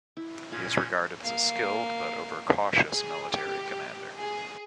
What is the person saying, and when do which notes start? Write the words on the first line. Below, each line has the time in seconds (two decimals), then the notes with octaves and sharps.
He is regarded as a skilled but overcautious military commander.
0.17 E4
0.52 A#2 C#4 F4 F5 F#5 G#6
1.22 A#3 F5
2.90 G#4
3.31 G4
4.17 G#4